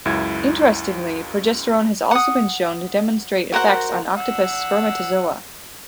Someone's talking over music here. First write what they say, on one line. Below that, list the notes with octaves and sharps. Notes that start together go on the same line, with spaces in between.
Interestingly, progesterone has also been shown to demonstrate effects on octopus spermatozoa.
C#2 F#2 E4 G#6
F#5 D#6
F#4 A#4 C5 F#5
F#5 E6